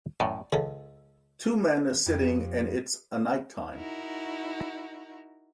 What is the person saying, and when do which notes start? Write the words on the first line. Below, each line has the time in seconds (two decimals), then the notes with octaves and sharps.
Two men are sitting and its a nighttime.
0.20 F#2 A2 D5
0.53 C#2 C#3 A4
2.06 F2 G4
3.74 D#4 E4 F#4 A#4